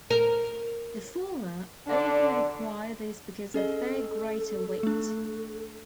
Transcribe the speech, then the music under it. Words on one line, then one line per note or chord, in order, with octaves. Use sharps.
The former often require these because of their greater weight.
A#4
D3 D4
C#4 G#4 A4 D#5
A3 D4